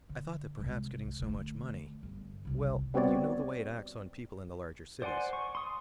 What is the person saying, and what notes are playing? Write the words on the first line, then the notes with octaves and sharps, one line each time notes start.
I thought that perhaps getting so much money,--well, you know the way it acts on people in the larger cities.
D3
C2 G#3
D3 A3
G1
F#1 C2
G3 B3 C4 F#4 C#5 D5
C5 D5 F#5 G#5 C6
C#6
C6 D#6